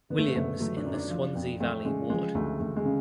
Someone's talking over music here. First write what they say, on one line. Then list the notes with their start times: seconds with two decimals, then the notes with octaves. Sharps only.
Williams in the Swansea Valley ward.
0.10 D3 B3
0.19 A3
0.27 B3
0.35 F#1 A3
0.60 F#3 A3
0.77 D4
0.85 F#2
0.94 D4
1.10 F3
1.35 F2
1.60 F2 A3
1.85 C#3 G#3
2.10 F3 G#3
2.35 D2 A3
2.60 D2 A3
2.77 G#3
2.85 C#3